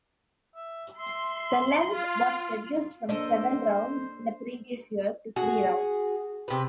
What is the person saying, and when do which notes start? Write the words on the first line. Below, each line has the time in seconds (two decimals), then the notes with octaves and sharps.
The length was reduced from seven rounds in the previous year to three rounds.
0.56 E5
0.99 E5 C6
1.95 F4 F5
3.09 A#3 D4 A4 A#4 C5 D#5
5.36 F#4 G#4
6.48 C3 B4